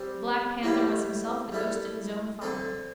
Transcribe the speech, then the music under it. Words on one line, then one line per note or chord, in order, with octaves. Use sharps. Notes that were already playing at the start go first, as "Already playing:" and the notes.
The black panther was himself the ghost of his own father.
Already playing: G3 C4 G4
A2 E3 G3 E4 G4
G3 E4 A4
D3 C4 A4